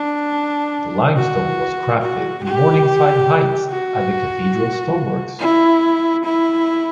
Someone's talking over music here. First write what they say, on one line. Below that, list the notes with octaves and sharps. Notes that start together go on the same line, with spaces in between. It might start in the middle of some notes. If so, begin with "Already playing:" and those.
The limestone was crafted in Morningside Heights at the Cathedral Stoneworks.
Already playing: D4
F#4
F#4
G4
F#4
E4
E4